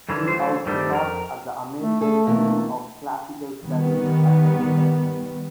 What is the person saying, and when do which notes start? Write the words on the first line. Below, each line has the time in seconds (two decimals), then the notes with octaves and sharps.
He also taught at the American School of Classical Studies at Athens.
0.09 F#2 D3 E3 C#4
0.28 E3 F#3 A3 C5
0.66 G2 D#3 G3 A3 C4
0.91 F2 E4 A#4
1.79 A3
2.01 A3 G#4 A4
2.27 B2 E3 A#3
3.64 D#3 G3 B3